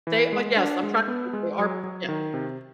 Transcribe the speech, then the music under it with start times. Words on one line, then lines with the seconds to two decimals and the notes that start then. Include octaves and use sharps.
They uh, yes, I'm trying to think they are p yeah.
0.07 E3
0.33 G#3
0.57 D4
0.83 G#3
1.08 B3
1.33 G#3
1.59 F#3
1.84 F#3
2.09 D#3
2.34 C3